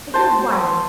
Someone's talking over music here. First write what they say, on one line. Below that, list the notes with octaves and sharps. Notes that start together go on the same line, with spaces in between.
But you're wiry.
C5 A5